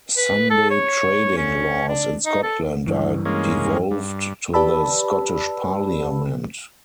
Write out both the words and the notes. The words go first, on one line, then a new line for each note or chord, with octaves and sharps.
Sunday trading laws in Scotland are devolved to the Scottish Parliament.
B4
A4
C#5
C#4
D4
D#4
A4
G2 E3
G#3 A#3 C#4
G2
G4 B4 D5 A5 B5 E6